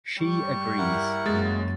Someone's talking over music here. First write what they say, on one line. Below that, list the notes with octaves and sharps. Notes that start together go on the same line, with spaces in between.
She agrees.
G2 G3 C#6
E4 A#4 F#5
F#2 F#3 G#3 A#3 A6